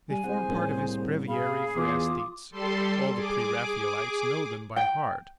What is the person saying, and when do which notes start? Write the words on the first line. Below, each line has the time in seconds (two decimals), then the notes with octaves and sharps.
They form part of his "Breviary for Aesthetes"; all the Pre-Raphaelites know them by heart.
0.10 G3 G#5
0.24 C2 G#4 C5 F#5
0.49 A2 A#3 C#4
1.28 G#4 F5 B5
1.75 E2 F4 D6 D#6
2.51 G3 A4 C6
3.14 G#4 D6
4.76 G5